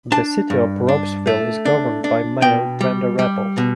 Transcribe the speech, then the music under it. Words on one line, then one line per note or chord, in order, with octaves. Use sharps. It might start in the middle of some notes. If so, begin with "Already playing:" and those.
The city of Ropesville is governed by Mayor Brenda Rabel.
D4 A5
G2
D4
A3
D4
D4
B2 G5
G3
G3
B2